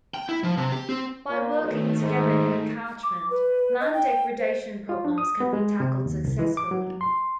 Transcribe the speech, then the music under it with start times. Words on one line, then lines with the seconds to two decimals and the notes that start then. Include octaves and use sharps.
By working together in a catchment, land degradation problems can be tackled successfully.
0.14 G5
0.29 E4
0.43 F3
0.57 C3
0.72 G4
0.89 C4
1.30 A#2
1.61 B1 D#3 A3
2.00 G#2
3.03 D6
3.30 B4
3.80 D#5
3.94 G5
4.39 C5
4.89 F4
5.05 D4
5.18 D#6
5.40 B3
5.53 G#3
5.80 C3
6.06 D#2
6.24 C2
6.39 E3
6.57 D6
6.71 F#3
7.01 C6